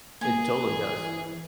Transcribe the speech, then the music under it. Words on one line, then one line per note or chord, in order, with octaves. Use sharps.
It totally does.
A#3 G#4 G#5
E3